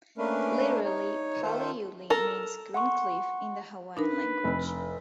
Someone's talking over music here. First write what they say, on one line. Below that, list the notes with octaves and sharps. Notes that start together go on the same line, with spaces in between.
Literally "pali uli" means "green cliff" in the Hawaiian language.
A3 A#3 C#4 D4 A#4 B4
D#4 C#5
D#3 A3 F4 A4 C5
A4 A#4
F#5 C6 C#6
D4 D#4 A#4 B4
F1